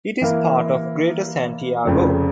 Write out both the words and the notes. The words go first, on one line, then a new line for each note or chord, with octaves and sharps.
It is part of Greater Santiago.
E3 A#3 E4 A#4 F5
F1 F2 C#3